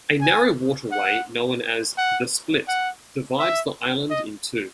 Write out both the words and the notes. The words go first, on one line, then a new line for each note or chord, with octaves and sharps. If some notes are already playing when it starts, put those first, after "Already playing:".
A narrow waterway known as "the Split" divides the island in two.
G#5
F#5
F#5
F#5
E5
D#5